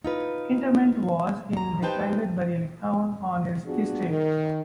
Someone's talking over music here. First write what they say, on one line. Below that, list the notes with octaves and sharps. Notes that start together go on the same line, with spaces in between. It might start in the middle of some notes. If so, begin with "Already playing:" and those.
Interment was in the private burial ground on his estate.
D#4 F4 B4
D#2 A#5
D#4 G4 B4 C5 G5 A5
B3 D4 F4 F#4 G#4
D#3